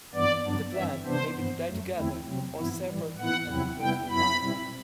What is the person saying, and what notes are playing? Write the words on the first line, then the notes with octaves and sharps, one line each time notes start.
The plan may be to die together, or separately and closely timed.
G2 E3 B3 D5
G2 F#3 B3 D4
G2 E3 G3 C4 E5
C3 E3 B3 D4 C5
G2 E3 B3
F#2 F#3 A3
E2 D3 A3 C4 E4
C3 F#3 C4
G2 E3 B3 E4
A2 E3 G3
A2 E3 B3 E4 F#5
E2 C3 F#3 C4 E4
C3 G3 B3 E4 G5
F#2 F#3 B3 E4 B5
B2 G3 C4 E4